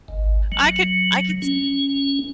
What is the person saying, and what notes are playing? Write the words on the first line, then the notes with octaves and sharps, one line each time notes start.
I could I could s
G#1
F#3
C#4